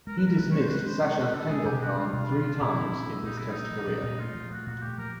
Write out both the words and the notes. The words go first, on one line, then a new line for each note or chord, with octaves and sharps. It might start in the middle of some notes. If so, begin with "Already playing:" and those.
He dismissed Sachin Tendulkar three times in his Test career.
G#3 A#4
B4
G#3 A#4
G#3 B4
B3 C#5
C5
G#3 B4
D4 C5
G#3 C#5
D4 B4
D4 A4
G#3 G#4
B2 G4
D4 F#4
G#3 F4
B2
D4 F4
D4
A#2 E4
F3
F3
A3
A#2 D#4
A3 E4
D#4
A3
F3
A#2 D#4
A#2
A3 F4
F3
A3 F#4
A#2 F#4
A3 G4
F3 A#4